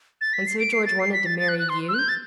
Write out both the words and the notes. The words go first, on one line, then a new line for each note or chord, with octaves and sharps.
And so George wanted to marry you!
A6
B6
C7
D7
C7
A6
C7
B6
A6
A6
F#6
F#6
C6
E6
F#6
G6
A6